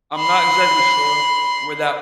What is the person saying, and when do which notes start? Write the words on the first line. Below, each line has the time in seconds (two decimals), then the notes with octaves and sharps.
I'm not exactly sure where that
0.16 B5 C6